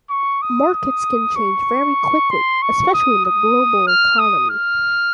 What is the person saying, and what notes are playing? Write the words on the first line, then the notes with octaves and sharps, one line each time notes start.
Markets can change very quickly, especially in the global economy.
C#6
D#6
D#6
C#6
C6
C#6
D#6
D#6
F6
D#6
F6